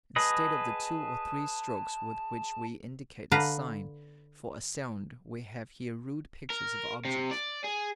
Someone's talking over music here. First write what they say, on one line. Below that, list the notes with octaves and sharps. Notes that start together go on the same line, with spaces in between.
Instead of the two or three strokes with which we indicate a sign for a sound, we have here rude pictures of objects.
G#4 B4 D#5 A5
D3 B4 F5 A#5
A#4
C3
D5
G#4